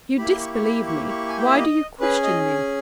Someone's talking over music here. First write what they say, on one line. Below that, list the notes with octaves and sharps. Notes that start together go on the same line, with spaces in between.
"If you disbelieve me, why do you question me?"
A#3 E4 G4 B5
C#6
C#6
B5
C#6
C#6
G#5
G5
E5
D#5
C#4 G#4 B4
D#5